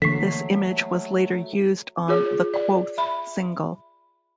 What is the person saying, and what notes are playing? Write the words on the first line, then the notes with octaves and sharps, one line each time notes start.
This image was later used on the Quoth single.
D3 E3 F#3 A3 A#3 C#6 B6 C7
F4 G#4 C#5
D5
E5 B5